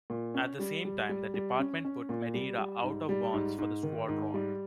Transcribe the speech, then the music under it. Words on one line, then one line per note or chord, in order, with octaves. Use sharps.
At the same time the department put Madeira out of bounds for the squadron.
A#2
C#4
G3
G3
G3
G3
C#4
C#4
A#2
G3
G3
G#2
G3
G#2
G#2
D#3
G#2
G3